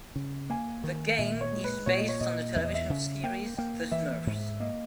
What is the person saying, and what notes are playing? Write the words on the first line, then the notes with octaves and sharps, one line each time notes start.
The game is based on the television series, "The Smurfs".
C#3
A#3 G#5
D#3
A#2 E5
C#5
G#3
B4
A#2 C#5
D#5
C#5
A#2 D#5
E2 E5
D#5
E5
C#3
A#3 G5
A#3 G5
E3 E5
G#2
A#3 D#5